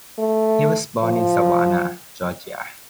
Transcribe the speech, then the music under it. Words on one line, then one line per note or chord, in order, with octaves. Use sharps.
He was born in Savannah, Georgia.
A3
F3